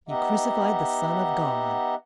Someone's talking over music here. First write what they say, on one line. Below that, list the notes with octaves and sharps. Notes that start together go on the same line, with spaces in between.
You crucified the Son of God.
B3 D#4 G4 D#5 E5 F#5